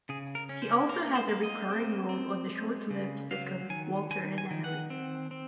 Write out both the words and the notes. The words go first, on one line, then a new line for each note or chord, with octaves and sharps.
He also had a recurring role on the short-lived sitcom Walter and Emily.
C#3 G#4
A#4
C#4
C5
A#3 A#4
C5
A#3
D#5
C4
C4
G#3
C#3
F#3 F5
D#3 G#5
D#3 G#5
G#5
D#3
F#5
C4
C4